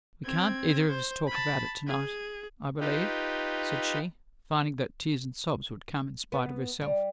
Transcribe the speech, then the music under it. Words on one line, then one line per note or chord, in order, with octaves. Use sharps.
We can't either of us talk about it to-night, I believe,' said she, finding that tears and sobs would come in spite of herself.
C4 G#6
C5
A5 B5
G#4
D#4 F4 G4 B4
B3
G3